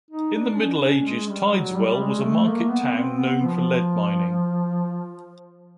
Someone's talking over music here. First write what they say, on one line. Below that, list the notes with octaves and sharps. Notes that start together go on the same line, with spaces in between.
In the Middle Ages, Tideswell was a market town known for lead mining.
D#4
D4
C#4
D4
C#4
G#3
G3
F#3
G3
G#3
A3
A#3
B3
C4
B3
F3